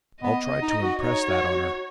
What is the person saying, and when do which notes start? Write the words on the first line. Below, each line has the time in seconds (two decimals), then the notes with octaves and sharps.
I'll try to impress that on her.
0.23 B3 D#5
0.62 D#4
0.82 F#4
1.01 D#4 C#5
1.28 F#4
1.54 F#4